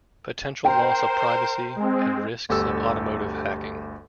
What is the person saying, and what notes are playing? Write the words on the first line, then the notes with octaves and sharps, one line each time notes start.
Potential loss of privacy and risks of automotive hacking.
A#4 C5 G5
G#3 C4
G1 D2 G4 A4 E6